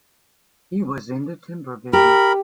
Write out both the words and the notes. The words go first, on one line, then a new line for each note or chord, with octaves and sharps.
He was in the timber business.
G4 A#4 B5